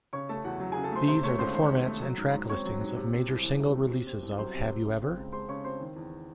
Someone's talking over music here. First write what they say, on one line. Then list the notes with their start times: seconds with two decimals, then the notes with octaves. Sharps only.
These are the formats and track listings of major single-releases of Have You Ever?
0.13 C#3 C#5 C#6
0.29 A3 A4 A5
0.44 E2 F#4 F#5
0.60 F#3
0.72 C#3 G#4 G#5
0.84 A4 A5
0.92 A3 C5 C6
1.08 C3 C5 C6
1.23 A3 C#5 C#6
1.39 C#2 C5 C6
1.54 D#3 C5 C6
1.71 C3
1.86 A3
2.02 F#3
2.18 G#2
2.34 G#2
2.49 C4 C#5 C#6
2.65 F#3
2.81 G#2
2.96 C3
3.12 C4
3.28 C2
3.44 E3
3.60 C3
3.75 C4
3.92 C3
4.07 C4
4.23 C2
4.38 F#3 C5 C6
4.55 C3
4.70 C4
4.85 C#3
5.01 C4
5.17 C#2
5.32 G#3 C5 C6
5.48 C#3 C#5 C#6
5.64 C4 C5 C6
5.80 D#3
5.96 E2